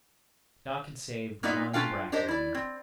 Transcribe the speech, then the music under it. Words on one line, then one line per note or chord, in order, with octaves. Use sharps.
Doc had saved one bracky weed.
A#3 B3 D#4 F4 D5 E5
C#4 D4 F4 A4 F5 G5
D4 G4 A#4 C5 D#5
E4 D5
C4